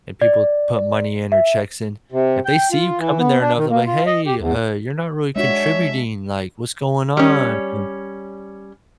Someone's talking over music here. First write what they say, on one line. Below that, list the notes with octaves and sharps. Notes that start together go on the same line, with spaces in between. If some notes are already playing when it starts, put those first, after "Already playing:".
and people put money in or checks in. If they see you coming there enough, they'll be like, "Hey, uh, you're not really contributing, like, what's going on an"
D5
E5
C3
G5
F4
E3
B3
D4
D#3
A#3
F4
D#5
G4
E2
G#3 D4 F#4 C#5 E5
G3 C#4